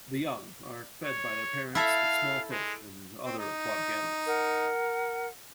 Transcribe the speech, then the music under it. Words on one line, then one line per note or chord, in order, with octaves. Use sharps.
The young are fed by their parents with small fish and other aquatic animals.
C#5
E4 A4 E5 F5
G#3
C4
D#4
A#4 F#5